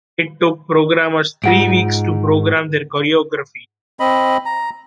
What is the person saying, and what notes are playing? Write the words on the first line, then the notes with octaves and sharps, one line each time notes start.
It took programmers three weeks to program their choreography.
G#2 F4 F#5 D7
C4 D#5 B5
A#5